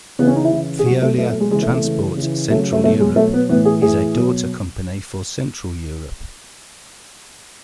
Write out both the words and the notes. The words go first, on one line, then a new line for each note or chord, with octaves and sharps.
Veolia Transport Central Europe is a daughter company for Central Europe.
C#3 E3 B3
C#4
D#4
E4
C#3 E3
G#4
B2 F#3 F#4
A3
B2 F#3 A3
A3
G#3
C#3 E3 G#3
A3
A3
C#3 E3
C#3 E3
C#3 F#3 A3
A3
B2 F#3 A3
G#3
B2 F#3 A3
B3
A2 E3 B3
G#4
A2 E3 G#4
B2 F#3